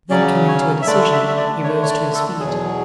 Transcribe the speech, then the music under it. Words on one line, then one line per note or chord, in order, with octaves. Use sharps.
Then coming to a decision, he rose to his feet.
C#3 F#3 C#4 D5
C#5
E5
D3 A3 D4 D5
E5
E5
D5
D3 A3 D4 C#5
C#5
D5
A4
E2 B2 F#3 G#4